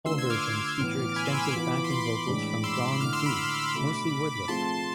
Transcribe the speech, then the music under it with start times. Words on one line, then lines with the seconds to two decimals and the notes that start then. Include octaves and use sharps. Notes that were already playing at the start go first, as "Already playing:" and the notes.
All versions feature extensive backing vocals from Dawn Zee, mostly wordless.
0.06 D3 A3 D4 F4 B4 C6 E6
0.18 E6 G#6
0.30 D6 F6
0.79 A2 E3 B3
1.16 G#5 B5
1.25 C6 E6
1.34 D6 F6
1.44 C6 E6
1.53 E3 B3 F4 B4 B5 D6
1.84 C6
1.90 B5 D6
2.27 A2 E3 G#3 D4
2.64 C6 E6
3.00 D3 A3 E4 D6 F6
3.13 C6 E6
3.25 B5 D6
3.38 B5 D6
3.74 B2 A3 D4
4.48 F3 A3 C4 F4 G#4 A5 C6